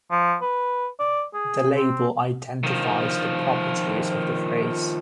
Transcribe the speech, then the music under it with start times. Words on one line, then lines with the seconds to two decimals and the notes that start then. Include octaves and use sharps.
The label identifies the properties of the phrase.
0.11 F3
0.42 B4
0.99 D5
1.34 G#4
1.76 C4
2.64 D#3 F3